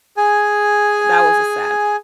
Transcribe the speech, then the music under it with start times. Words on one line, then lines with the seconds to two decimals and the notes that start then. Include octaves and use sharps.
That was a sad
0.17 G#4 G#5